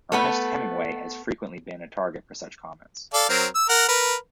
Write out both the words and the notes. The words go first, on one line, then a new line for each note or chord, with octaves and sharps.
Ernest Hemingway has frequently been a target for such comments.
A3 B3 B4
A4 D5 F5
F#3 C4 A#4
E6
A#4 F#5
A#4 B4